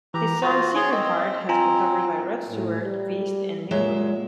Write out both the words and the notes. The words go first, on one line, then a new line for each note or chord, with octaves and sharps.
His song "Secret Heart" has been covered by Rod Stewart, Feist, and Nick Lowe.
E3 G4 A#5
F4 F#4 C5
G#4 C#5 G#5 C6
C4 D#5
C4 F4 G#5 A#5
A2
G3
A#2 F#3 G#3 E5